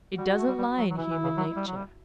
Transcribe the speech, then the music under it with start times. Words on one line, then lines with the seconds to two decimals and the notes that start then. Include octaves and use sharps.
It doesn't lie in human nature.
0.18 G3 F#4
0.38 A3
0.47 G3
0.58 G3
0.78 F#3
0.90 F#3
0.97 E3 E4
1.11 E3
1.24 C#3
1.37 F#3
1.56 G3
1.67 F#3
1.76 G3